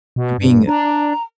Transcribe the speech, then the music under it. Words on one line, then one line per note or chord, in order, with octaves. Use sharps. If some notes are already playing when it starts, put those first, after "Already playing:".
you're being
B2
G2
D4 A#5